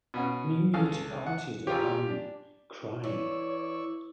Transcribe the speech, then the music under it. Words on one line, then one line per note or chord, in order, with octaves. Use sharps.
Mimi departed alone, crying.
B2 C#4 F#4
C#2 A4 F5
F#5
G#1 F4 G4 C#5
D4
E3 C#5 D5 C#6 E6